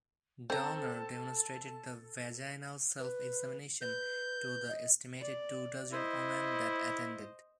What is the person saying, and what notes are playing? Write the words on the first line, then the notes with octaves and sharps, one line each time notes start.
Downer demonstrated the vaginal self-examination to the estimated two dozen women that attended.
C4 A4 A5 A#5
B4
B4 G6
D#5
D5
E4 C5 D#5